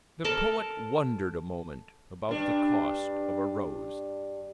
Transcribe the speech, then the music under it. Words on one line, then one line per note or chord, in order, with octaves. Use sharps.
The poet wondered a moment about the cost of a rose.
A4 A#4 A5
G2 D4